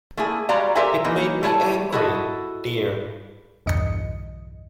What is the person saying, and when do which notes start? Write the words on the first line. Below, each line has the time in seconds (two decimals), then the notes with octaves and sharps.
It made me angry, dear.
0.17 A3 A#3 E4 G#4
0.49 G3 G#3 F#4 D5 F5 A#5
0.75 G4 A4 A#4 C5 E5 G#5
1.04 E3 A#3 D#4
1.43 A3 E4 C#5 A5
1.92 E4 F#4 A4 D#5
3.66 B1 E2 G2 D3 D#5 C#7